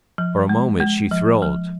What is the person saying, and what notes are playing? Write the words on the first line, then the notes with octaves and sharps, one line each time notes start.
For a moment she thrilled.
F3
G#3
G#3
F3
F3